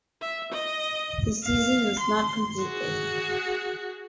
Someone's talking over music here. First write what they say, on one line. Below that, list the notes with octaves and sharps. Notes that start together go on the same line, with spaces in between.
The season was not completed.
E5
D#5
F5
C6
F#4 G#4